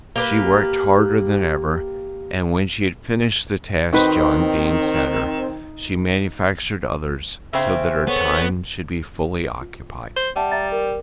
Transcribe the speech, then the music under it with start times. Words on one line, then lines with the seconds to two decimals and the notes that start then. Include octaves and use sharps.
She worked harder than ever and, when she had finished the tasks John Dene set her, she manufactured others so that her time should be fully occupied.
0.16 A#3 G4 B4
3.93 D#3 C4 D#4 F#4 B4 C5
7.53 C#3 C4 E5
8.08 B3 A4 C#5
9.61 F4
10.16 C5
10.36 G3 E5 F#5 A5
10.52 E5 A#5 A6
10.72 A#4